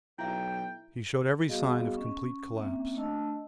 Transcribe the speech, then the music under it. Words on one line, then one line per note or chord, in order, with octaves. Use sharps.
He showed every sign of complete collapse.
B1 E4 E5 G5
G3 B3 F#4 G#4 D#5 F5
C#4 C#6
A#3 C4 C#4 E5
A3 D4 D#5 A5 E6